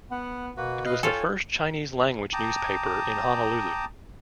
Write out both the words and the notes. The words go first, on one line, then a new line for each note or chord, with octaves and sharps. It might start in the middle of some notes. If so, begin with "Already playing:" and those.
It was the first Chinese language newspaper in Honolulu.
B3 F#5
B2 A#3 F#4 B4
B4 D#5 F5
F4 A4 C#5 G5 G#5
G5 A5 A#5 D6 D#6